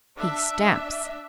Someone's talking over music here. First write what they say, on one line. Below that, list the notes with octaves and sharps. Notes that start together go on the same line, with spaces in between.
He stamps.
D4 E5